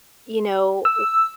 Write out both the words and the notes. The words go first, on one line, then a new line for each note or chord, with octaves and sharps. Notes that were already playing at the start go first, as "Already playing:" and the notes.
you know,
E6